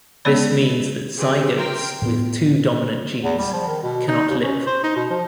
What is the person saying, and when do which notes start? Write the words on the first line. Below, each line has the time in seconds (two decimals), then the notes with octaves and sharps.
This means that zygotes with two dominant genes cannot live.
0.25 G#3 B3 C#4 C#5 D5 B5
1.17 C4 G4 G#4
1.56 A#4 G5 C6
2.02 A2 B3
3.23 E2
3.38 G3
3.53 F3
3.67 D#3
3.83 B2
4.08 D#4
4.28 D#2
4.41 C#4
4.66 C5
4.83 D#4
4.95 B2
5.10 F3